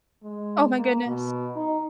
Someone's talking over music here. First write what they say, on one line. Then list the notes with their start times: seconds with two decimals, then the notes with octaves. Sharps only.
Oh my goodness.
0.23 G#3
0.76 A#3
1.07 B2
1.56 D#4